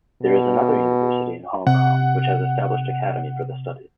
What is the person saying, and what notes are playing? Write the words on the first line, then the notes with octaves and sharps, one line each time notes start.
There is another university in Hong Kong which has established academy for the studies.
B2
C3 F#5